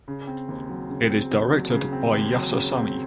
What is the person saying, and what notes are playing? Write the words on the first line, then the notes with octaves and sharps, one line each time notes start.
It is directed by Yasser Sami.
C#3
C4
D#2
F#3
C#3
C4
D#2
F#3
C#3
C4
D#2
F#3
C#3
C4